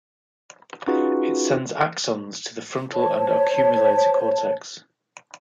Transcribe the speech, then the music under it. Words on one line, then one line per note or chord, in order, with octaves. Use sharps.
It sends axons to the frontal and oculomotor cortex.
C#4 D#4 F4 F#4 G#4 B4
C5 C#5 A5